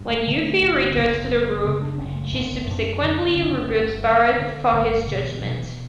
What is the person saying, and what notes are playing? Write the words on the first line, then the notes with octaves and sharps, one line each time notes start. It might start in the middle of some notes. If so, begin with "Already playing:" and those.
When Yuffie returns to the group she subsequently rebukes Barrett for his judgement.
Already playing: G2
A3
D3 A3
G1
F#1
F#2
C#3 B3
D4
F#1 C#4
A3
F#1 A3
B3
F#2 D4
C#4
D3 D4
B3
F#1 C#4
G1
G2
D3
G1
B2 D3
E3
B2 F#3
E3